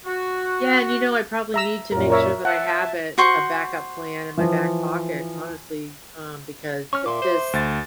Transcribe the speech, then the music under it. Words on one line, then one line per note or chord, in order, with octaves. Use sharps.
Yeah, and, you know, I probably need to make sure that I have it a backup plan in my back pocket, honestly, um, because it is
F#4
E5 A#5 E6
F#2 A#2 A#4
A#4 C#5 E5
E5 F#5 A5
F#4 C5 C#6
E3 F3
C#4 C#6 F6
A#2 E5 C6 D6
C5
D2 A6